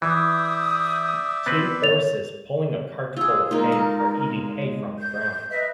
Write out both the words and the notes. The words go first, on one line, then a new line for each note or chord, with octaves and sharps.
Two horses, pulling a cart full of hay, are eating hay from the ground.
E3 D5 E5 D#6 G6
B3 C4 B4
C#5 A6 F7
F4 G#4 E6
G#3 A#3 D#4 F4 A#4
A4
G6
B4 D#5 E5